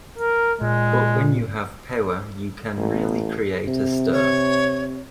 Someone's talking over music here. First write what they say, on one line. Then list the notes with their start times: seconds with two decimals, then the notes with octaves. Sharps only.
But when you have power you can really create a stir.
0.18 A#4
0.61 A#2 G#3
2.77 A1
3.68 C3
4.13 C#5